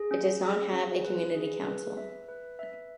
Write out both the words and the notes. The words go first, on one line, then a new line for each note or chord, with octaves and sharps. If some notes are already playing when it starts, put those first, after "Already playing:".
It does not have a Community Council.
Already playing: G#4
C#4
G#4
C#4
B4
G#4
B4
E5
B4
E5